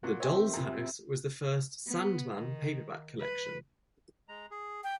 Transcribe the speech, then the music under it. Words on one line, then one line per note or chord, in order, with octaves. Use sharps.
"The Doll's House" was the first "Sandman" paperback collection.
A#2 F#4
C3 C4 C#5 D#5 E5 G#5
D#3 A3
F#2 C#3 F3
B3
D#3
B4
G#3 A#5
G#4
G5